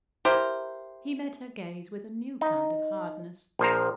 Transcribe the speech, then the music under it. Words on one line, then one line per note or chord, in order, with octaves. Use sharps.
He met her gaze with a new kind of hardness.
E4 G4 A#4 C5
D#4
A#1 F3 C5 A#5